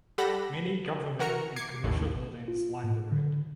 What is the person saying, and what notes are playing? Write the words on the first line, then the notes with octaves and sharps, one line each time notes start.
Many government and commercial buildings line the road.
G3 G4 A4 F#5 B5 A#6
E3 F#4 A#4 A#5 C#7
D6 G#6 C7 C#7
A1 D#2 A2
F4
A2
D3